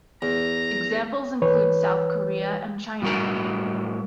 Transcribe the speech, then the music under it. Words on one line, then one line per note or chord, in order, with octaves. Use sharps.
Examples include South Korea and China.
E2 A#5
E3 B4 C#5
A2 G3 F#4 A#4 A#5